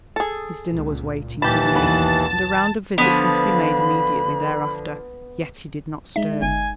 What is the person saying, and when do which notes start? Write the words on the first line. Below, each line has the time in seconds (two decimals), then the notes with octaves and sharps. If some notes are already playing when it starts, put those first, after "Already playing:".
His dinner was waiting, he knew, and a round of visits must be made immediately thereafter, yet he did not stir.
0.16 G#4 A4
0.71 C#2 A#2
1.42 D#2 A#2 E3 F3 G3 G4 A5 B5
1.75 B1 E2 B3 B4
2.98 D3 F3 B3 B5
6.16 G#3 D#4 E5
6.42 G1 G#5